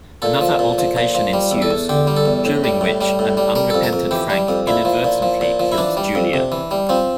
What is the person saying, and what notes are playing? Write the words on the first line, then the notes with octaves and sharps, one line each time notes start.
Another altercation ensues, during which an unrepentant Frank inadvertently kills Julia.
A#2 A4
F3
A#2
F3
A#2
F3
G3
E2
A4
E2
D3 G4
G3
A4
E2
A2
G3
A2
G3
A2
G3
G3 A#4
F2 A4
A#4
F2
E3 G4
G3
F2
A#2 E4
F3
A#2
F3
A#2
F3
E4
E3 D4
G3
F2
C3
E3
G3
F3 C4